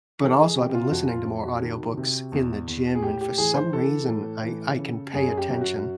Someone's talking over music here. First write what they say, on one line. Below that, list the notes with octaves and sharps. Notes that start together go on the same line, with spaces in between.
but also I've been listening to more audiobooks in the gym, and for some reason I I can pay attention.
E3 A4
G#4
C3 G4
F4
F2 F#4
F4
F2
F#4
D#3
C3
E2
E2
G#4
A2 G4
G4
E3 G#4
C5
E3 A4
A2
E3
C#3
F#2 G#4
G4
F#2
F#4